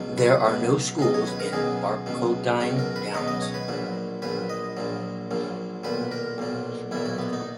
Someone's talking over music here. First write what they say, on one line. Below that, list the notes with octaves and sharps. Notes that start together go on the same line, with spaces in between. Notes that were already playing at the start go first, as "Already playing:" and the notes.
There are no schools in Barcaldine Downs.
Already playing: C#2 B2 F#3
B4
C#2 B2 F#3
C#2 B2 F#3 D#5
C#5
B4
A#4
C#2 B2 F#3 G#4
C#2 B2 F#3
C#2 B2 F#3 F#4
A#4
B4
C#2 B2 F#3 D#5
D#5
C#5
B4
A#1 A#2 F#3
A#1 A#2 F#3 B4
D#5
A#1 A#2 F#3
A#1 A#2 F#3
B1 A#2 F#3 B4
A#4
B1 A#2 F#3
B1 A#2 F#3 E4
F#4
B3
D#4